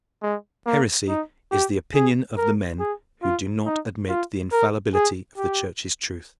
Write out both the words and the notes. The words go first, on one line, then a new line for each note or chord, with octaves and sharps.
Heresy is the opinion of the men who do not admit the infallibility of the Church's truth.
G#3
A#3
D#4
G4
G#4
A#4
G#4
F4
D#4
F4
A#4
G#4
G4